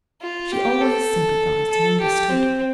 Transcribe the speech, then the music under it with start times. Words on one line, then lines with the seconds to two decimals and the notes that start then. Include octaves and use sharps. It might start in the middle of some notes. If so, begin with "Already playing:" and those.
She always sympathized and understood.
0.22 F4
0.52 G4
0.81 A4
1.70 A4
2.00 G4
2.30 C4